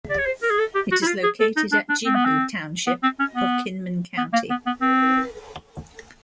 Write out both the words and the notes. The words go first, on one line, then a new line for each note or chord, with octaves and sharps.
It is located at Jinhu Township of Kinmen County.
D5
C#5
C5
A#4
G#4
A4
G4
F#4
E4
F4
G#4
A4
D#4
D4
D4
C4
B3
C4
B3
C4
C#4
B3
B3
A#3
B3
B3
C4